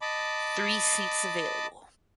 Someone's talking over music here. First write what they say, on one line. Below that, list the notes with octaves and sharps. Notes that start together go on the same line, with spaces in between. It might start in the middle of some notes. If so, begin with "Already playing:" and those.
Three seats available.
D#5 A5 B5 D6